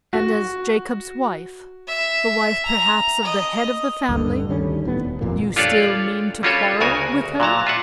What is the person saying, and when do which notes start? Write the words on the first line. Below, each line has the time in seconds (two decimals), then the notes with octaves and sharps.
"And as Jacob's wife--the wife perhaps of the head of the family--you still mean to quarrel with her?"
0.13 F#4
1.88 E5
2.66 A#5
3.25 D#5
4.09 D2 G2 D3
4.49 D2 D#3 G3 C#4
4.84 D#1 E2 A2 B3
5.04 D#1
5.21 F2 A#2 E3 A#3
5.56 D4 F4 G4 A4 C#5 D5
6.43 G3 C#4 F4 F#4 A4 C#5
6.81 D2 C#3 F#4 A#4 G#5
7.40 A#2 F#3 A5 A#5
7.67 F4 E5 F#5